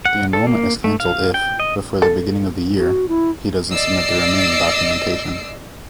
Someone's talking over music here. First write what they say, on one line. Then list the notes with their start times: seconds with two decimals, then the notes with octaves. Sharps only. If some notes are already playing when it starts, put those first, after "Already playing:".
The enrollment is cancelled if, before the beginning of the year, he doesn’t submit the remaining documentation.
0.05 F#5
0.33 A4
0.47 A#3
0.84 A3
1.00 F5
1.34 G5
1.60 D#5
2.02 A4
2.78 F#4
3.09 E4
3.72 D5 D#5 E6 C7 D7